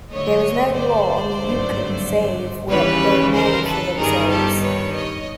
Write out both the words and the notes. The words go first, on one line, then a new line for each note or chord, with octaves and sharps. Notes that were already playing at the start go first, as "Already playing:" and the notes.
There was no law on the Yukon save what they made for themselves.
G2 D3 F#3 A3 C#5 D#5
C5 D5
G#1 G2 D3 F#3 A3
D#2 C#3 E3 G3 B4 C#5
A#4 C5
A4 B4
G1 G2 D#3 G3 G#4 A#4
G4 A4
B4 C#5
C#5 D#5